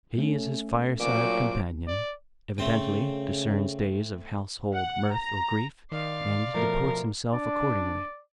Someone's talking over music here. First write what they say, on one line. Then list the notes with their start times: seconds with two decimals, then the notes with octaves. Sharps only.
He is his fire-side companion, evidently discerns days of household mirth or grief, and deports himself accordingly.
0.18 A3 C#4
1.00 A#2 F3 F#3 F#4 D6
1.87 D5
2.58 C#3 A3 C4 G5
4.74 F#5
5.11 A#5
5.92 D#3 D5 F5 C6
6.54 B2 F3 A3 A#4
7.33 D4 D5